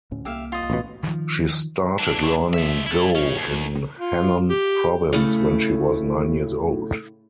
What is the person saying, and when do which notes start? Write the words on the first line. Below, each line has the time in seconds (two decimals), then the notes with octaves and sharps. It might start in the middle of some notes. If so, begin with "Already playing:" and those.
She started learning Go in Henan province when she was nine years old.
0.11 D2 A2 C#4
0.25 C2 A#3 G4 E5 F5
0.52 F4 D#5
0.70 A1 B2
1.03 D#3 F3
1.99 E3 D4
2.53 G#3 E5
2.86 E4 A4
3.15 C#3 C#4
3.36 D#2
3.99 F4
4.49 G4
5.13 A2 C#3 A3